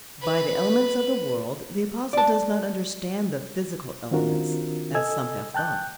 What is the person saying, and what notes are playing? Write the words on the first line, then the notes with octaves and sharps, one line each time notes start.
By the elements of the world the Apostle does not understand the physical elements, as some have thought.
B4 B5
D5 A5
D#3 C4 D4 F4 F#4 A#4
A4 D#5 G#5 E6 G#6
G5 A5 F#6 G6